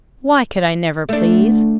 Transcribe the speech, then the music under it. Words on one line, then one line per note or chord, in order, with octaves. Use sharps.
Why could I never please?
A3 D4